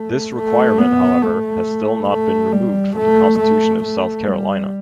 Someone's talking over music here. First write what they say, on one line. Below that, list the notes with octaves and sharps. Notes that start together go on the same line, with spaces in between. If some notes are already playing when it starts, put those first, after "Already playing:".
This requirement, however, has still not been removed from the Constitution of South Carolina.
Already playing: A3
A3
B3
A3
A3
G3
A3
A3
A3
G3